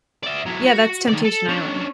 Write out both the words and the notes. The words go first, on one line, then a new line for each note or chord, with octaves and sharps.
Yeah, that's Temptation Island.
D5 E5
F#3 E4
F#4
D#3 D5
A4
C#4 D4